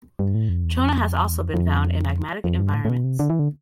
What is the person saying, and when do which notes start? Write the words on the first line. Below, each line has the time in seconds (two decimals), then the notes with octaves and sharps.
Trona has also been found in magmatic environments.
0.19 G2
0.35 A2
0.49 F2
0.64 E2
0.79 F2
1.30 E2
1.39 F2
1.54 F2
2.44 F2
2.59 G2
2.74 A2
2.85 A2
2.89 B2
3.04 C3
3.19 D3
3.30 E3
3.39 D3